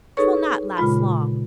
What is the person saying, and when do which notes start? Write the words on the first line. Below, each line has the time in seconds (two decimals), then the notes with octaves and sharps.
'Twill not last long.
0.17 D#4 G#4 A4 B4 C#5 C#6
0.77 A#2 C#3 G#3 F4 B5